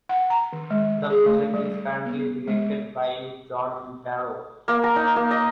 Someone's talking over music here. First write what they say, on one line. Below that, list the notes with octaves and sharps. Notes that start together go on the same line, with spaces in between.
The project is currently directed by John Barrow.
F#5
A#5
D#3
G#3
G#4
A3
G3
B3
G#3
A#3
A#5
D#4
A#3
D#5